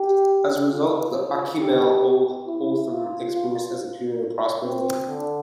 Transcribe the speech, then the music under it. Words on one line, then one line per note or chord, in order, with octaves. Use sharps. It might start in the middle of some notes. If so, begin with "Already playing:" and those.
As a result, the Akimel O'Otham experienced a period of prosperity.
Already playing: G4
F4
G4
E4
F4
F4
C4
D3